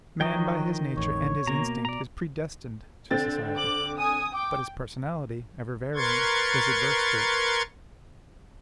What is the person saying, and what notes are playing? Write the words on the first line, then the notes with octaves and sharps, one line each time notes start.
Man, by his nature and his instinct, is predestined to society; but his personality, ever varying, is adverse to it.
D#3 F3 F#3 D#5 G5
A1 F2 C#5
B2 A#3 A#5
D5 A#5
D3 C4 A6
D6 F#7
G#5 D#6 D#7
G5 D6
A#4 B4 C6 C#6 G#6 A6